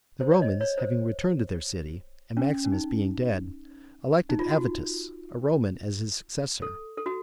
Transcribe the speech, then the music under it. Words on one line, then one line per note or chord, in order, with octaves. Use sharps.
The Romans, having returned to their city, and Maximus being dead, elected Avitus, a Roman, as his successor.
C5
C#5
D#5
C#5
C5
C#4
C#4
D#4
D#4
F4
F#4
A4
A4
F#4